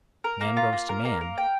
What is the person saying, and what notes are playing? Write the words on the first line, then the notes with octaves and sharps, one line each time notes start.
Man goes to Man!
A#4
A#3
F4
A#3
A#4
A#3
A#4
G5